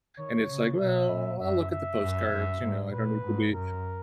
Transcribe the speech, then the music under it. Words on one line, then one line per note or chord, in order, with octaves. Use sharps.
And it's like, well, I'll look at the postcards, you know, I don't need to be
D#3 C#5
C#3
B2 E5
A#2
F#2 E5
E5
F#2
F#2
G#2
A#2 B4
G#2
F#2 A#4